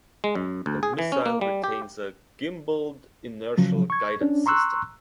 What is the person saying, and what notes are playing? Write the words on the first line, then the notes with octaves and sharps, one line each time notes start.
The missile retains a gimballed inertial guidance system.
G#3
F#2
D2
G#4
E3
C#4
A#3
G3
G4
C#3 F3 F#3
C#6 G#6
C#4 D4
A#5 C6 C#6 E6 F#6